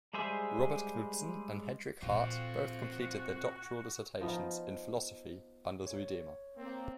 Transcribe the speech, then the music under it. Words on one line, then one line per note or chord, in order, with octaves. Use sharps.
Robert Knudsen and Hendrik Hart both completed their doctoral dissertations in philosophy under Zuidema.
G3 G#3 G#4 C5 E5
A#2 C4 F4 F#4
F3 B3 D#4 D#5
C#5
A#3 C4